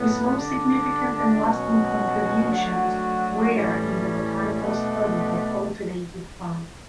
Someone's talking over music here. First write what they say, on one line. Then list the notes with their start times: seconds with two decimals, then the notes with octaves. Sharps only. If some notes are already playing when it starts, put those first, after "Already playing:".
His most significant and lasting contributions were in the botanical study of cultivated plants.
Already playing: A2 F#3 B3
0.37 D3 G3 D4
1.43 B2 F#3 C#4 F#4
2.49 F#3 A3 D4 F#4
3.55 A2 E3 G3 C#4
4.61 B2 A3 D4